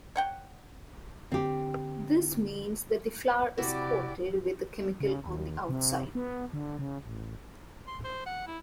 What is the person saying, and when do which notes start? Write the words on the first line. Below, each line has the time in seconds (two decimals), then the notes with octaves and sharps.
This means that the flower is coated with a chemical on the outside.
0.16 C#5 F#5 G5
1.32 D3 C4 G4
3.58 C3 E4 F#4 G4 D5
5.00 C#3
5.26 D#2
5.69 C3
6.15 B3
6.53 D3
6.79 C#3
7.04 A1
7.87 C6
8.04 C5
8.26 F#5
8.47 E4